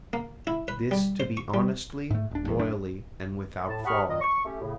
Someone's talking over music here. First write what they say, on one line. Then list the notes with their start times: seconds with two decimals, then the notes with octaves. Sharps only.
This to be honestly, loyally, and without fraud.
0.13 A#3
0.47 E4
0.68 B4
0.91 G3
1.20 C5
1.37 C#6
1.54 G3
2.11 G#2 A3
2.31 D1 D4
2.47 G1 E2
2.59 F1 F#2 A3 D4
3.69 A2 A5
3.85 G4 F#5 B5 C#6 D#6 F6
4.08 A#2 D#3 D#5
4.21 C#6
4.45 A3 C#4 G4
4.62 A2 C#3